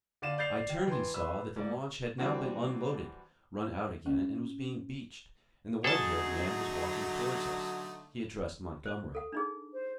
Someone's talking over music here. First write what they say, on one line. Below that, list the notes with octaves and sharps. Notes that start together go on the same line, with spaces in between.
I turned and saw that the launch had now been unloaded, run out again, and was being beached, and the white-haired man was walking towards us. He addressed Montgomery.
D3 D4 D5 F5 D#7 E7
D5 G6 A6 C7 F7
D#3
E3 C6
B4 E6
G#2 D5
E3 G3 C4 D4 F#4
C#4
D3 F#3 A3 D#4 G#4 A4 A5
C5
A4 F#5
D4 D#4 G#4
C5